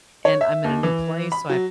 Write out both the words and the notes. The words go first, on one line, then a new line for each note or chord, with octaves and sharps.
and I'm in a new place, so I
C#5
E5
D#2
E3
B5
F#3